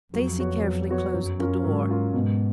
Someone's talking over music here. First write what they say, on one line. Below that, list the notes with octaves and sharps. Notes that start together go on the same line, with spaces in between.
Stacey carefully closed the door.
F2 F#3
B3 F#4 C#5
F#3
B3 F#4 C#5
F#2 F#3
C#4 F4 A#4
G#2 F#3
C#4 F4 A#4
G#2 B2